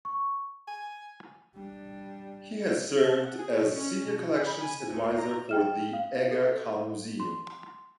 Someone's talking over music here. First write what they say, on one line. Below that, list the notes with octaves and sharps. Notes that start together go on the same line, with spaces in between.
He has served as Senior Collections Adviser for the Aga Khan Museum.
C#6
G#5
G3 D4
A5
F#5
G#4
B2
C#4
B2
G#4
B5
G#5
D2
A#5
G5 F6 E7
F5
A4
C6